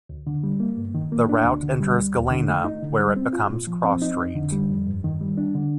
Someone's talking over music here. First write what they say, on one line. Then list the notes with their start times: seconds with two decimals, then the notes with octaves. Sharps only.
The route enters Galena, where it becomes Cross Street.
0.09 D2
0.27 D3
0.44 G3
0.60 A#3
0.77 G2
0.95 D#3
1.12 A#3
1.29 D4
1.45 D2
1.63 D3
1.80 G3
1.97 D2
2.14 D#2
2.31 D3
2.49 A3
2.65 D#4
2.83 D3
2.99 G3
3.16 C4
3.33 F4
3.50 A#2
3.67 F3
3.84 C4
4.02 D#4
4.18 F2
4.35 D3
4.52 G3
4.70 F2
4.87 G2
5.04 D#3
5.21 G3
5.37 D4
5.55 D3